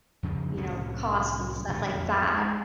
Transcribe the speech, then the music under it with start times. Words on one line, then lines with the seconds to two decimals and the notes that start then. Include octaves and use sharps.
you know, cost and stuff like that.
0.23 F2 C#3 F3
0.57 C2 A2 D3 C#4
1.68 A#2 D3 G3 A3
1.91 A1 F2
2.33 G#3